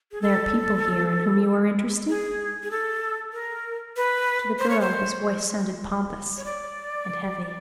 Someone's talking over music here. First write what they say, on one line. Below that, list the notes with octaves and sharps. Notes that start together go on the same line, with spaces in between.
"There are people here in whom you are interested?" To the girl his voice sounded pompous and heavy.
G#4
A4
G#4
G#4
A4
A#4
B4
C5
C#5
C5
C#5
D5